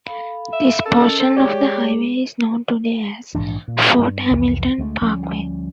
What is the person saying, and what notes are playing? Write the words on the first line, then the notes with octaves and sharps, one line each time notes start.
This portion of the Highway is known today as Fort Hamilton Parkway.
A4 F5 B5
E5
C#4 A4 A#4 D#5
A4 C5
G#3 G4 G#4 C#5 D5 D6
A#1 G#2 E3 D4
A#2
G2
C2 F2 E3
D2 G#3 A3
D2 F3 G3 C#4